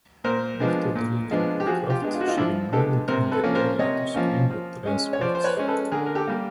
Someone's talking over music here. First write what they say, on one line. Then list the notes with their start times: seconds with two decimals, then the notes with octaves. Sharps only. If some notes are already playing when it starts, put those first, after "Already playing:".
After delivering the craft, she remained in the area to screen the transports.
0.24 A#2 A#4 C5
0.60 F3 G#3 B3 D4
0.95 A#2
1.31 F3 G#3 B3 D4
1.60 G4
1.66 F3 F#4 G#4
1.90 F4 G4
2.02 G#3 B3 D4
2.14 F4
2.21 F#4
2.27 D#4 F4
2.37 F3 D4 E4
2.73 G#3 B3 D4 G4 A4
3.08 C3 A#4 C5
3.31 A4 B4
3.43 F3 A#3 C#4
3.55 A#4 C5
3.79 C3 C#5 D#5
4.14 F3 A#3 C#4
4.50 F3
4.86 G#3 C#4
5.13 C#5
5.21 F3 C5 D5
5.35 C5
5.44 B4 C#5
5.57 G#3 C#4
5.68 A4 B4
5.91 D3 G#4 A#4
6.06 A#4
6.15 G4 A4
6.27 G3 A#3